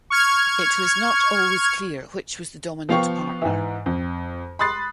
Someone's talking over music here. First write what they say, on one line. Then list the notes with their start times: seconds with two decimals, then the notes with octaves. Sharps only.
It was not always clear which was the dominant partner.
0.10 C#6 F6 G#6
2.89 F3 B3 F5 G5 C#6
3.42 G#2 E3
3.86 F2
4.59 B5 C6 D#6 F#6 A6 C7